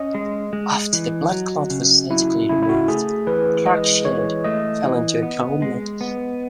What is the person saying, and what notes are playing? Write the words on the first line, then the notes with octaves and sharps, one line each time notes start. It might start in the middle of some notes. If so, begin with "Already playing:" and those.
After the blood clot was surgically removed, Clark-Sheard fell into a coma.
Already playing: C#4 D#5
G#3
G#3
E3
F#3
C#3
F#3 E4
C#3 E4
E4
F#4
A3 G#4
E3 B4
G#3 D#5
E3 C#5
A3 D#5
E3
B3
G#3
B3